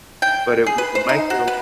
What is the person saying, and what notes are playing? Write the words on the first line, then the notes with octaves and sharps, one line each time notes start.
but it was a micro
G5
G#4
B4
C5
D#4
F#4
B4